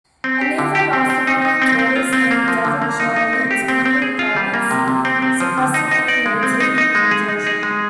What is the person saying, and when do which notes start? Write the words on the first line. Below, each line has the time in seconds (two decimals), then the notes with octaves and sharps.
An evil mastermind tortoise named Devan Shell begins conquering planets, suppressing any native confrontation.
0.24 C4
0.41 G4
0.58 D3
0.75 G4
0.93 C4
1.10 C4
1.27 D#4
1.45 D#4
1.62 C4
1.79 C4
1.96 F4
2.13 C4
2.31 A#3
2.48 F3
2.65 D3
2.82 A#3
3.00 D#4
3.16 D#4
3.33 C4
3.51 G4
3.68 C4
3.85 C4
4.02 G#4
4.19 F4
4.36 G3
4.54 A#3
4.71 C3
4.88 C3
5.05 C4
5.22 C4
5.40 F3
5.58 D3
5.74 D#4
5.91 D#4
6.08 D5
6.26 G#3
6.43 C4
6.60 D#4
6.78 D#4
6.95 G#3
7.11 G#4
7.29 D#4
7.47 G#4
7.63 G#3